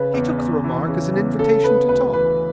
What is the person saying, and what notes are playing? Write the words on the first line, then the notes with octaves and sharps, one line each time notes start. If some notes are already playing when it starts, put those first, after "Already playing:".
He took the remark as an invitation to talk.
Already playing: C#3 B4
E2
E2
E3
C#3
E2
C#3 A4
B3 B4
D2 B4
E3 B4